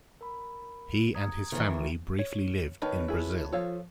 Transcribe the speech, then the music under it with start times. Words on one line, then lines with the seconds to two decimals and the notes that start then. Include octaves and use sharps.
He and his family briefly lived in Brazil.
0.21 A#4 B5
1.14 A#5 D#6 G#6
1.52 D#3 E3
2.19 C#5
2.82 D#3 D#4 B4 C#5 A5
3.08 E4 G#4
3.52 F3 A4 C#5 F5